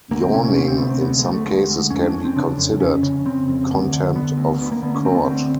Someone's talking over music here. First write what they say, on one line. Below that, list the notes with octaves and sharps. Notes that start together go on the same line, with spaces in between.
Yawning in some cases can be considered contempt of court.
D2 A#3
C4
C3 C#4
C#4
D2 C#4
C4
C3 B3
C4
D2 B3
G#3
D2 A3
A3
D2 G#3
D2
F2 C#4
D4
F2 C#4
C4
C#3 D4
F2
F2 C#4
C#3
C#3 C4
F2
D2
D3
D3 B3
D2
D2 B3
A#3
D3 B3
C#4
D2 C4
B3
D3 C4